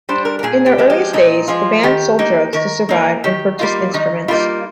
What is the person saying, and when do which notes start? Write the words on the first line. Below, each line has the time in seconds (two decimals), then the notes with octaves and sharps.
In their earliest days, the band sold drugs to survive and purchase instruments.
0.09 G3 D4 C5
0.25 A#4
0.39 A#4
0.43 A#2 G#4
0.66 G4
0.78 F3 G#3
0.90 G4
1.13 A#2 D#4
1.48 F3 G#3 F4
1.83 D#3 G4
2.19 A#3 D#4
2.53 D#3 A#4
2.89 A#3 D#4
3.24 D#3 G4
3.59 G3 A#3 D#4 F4
3.94 D#3 D#4
4.28 G3 A#3 D#4 F4